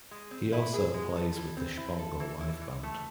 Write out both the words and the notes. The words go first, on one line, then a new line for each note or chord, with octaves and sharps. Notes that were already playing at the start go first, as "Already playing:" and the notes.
He also plays with the Shpongle Live Band.
G#3
C4
E4
G#4
G#3
A4
E3
C4
E4
A4
E3
E4
E3
A3